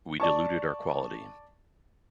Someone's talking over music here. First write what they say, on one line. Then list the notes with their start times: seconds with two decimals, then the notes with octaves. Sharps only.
We diluted our quality.
0.20 D5 A5 C#6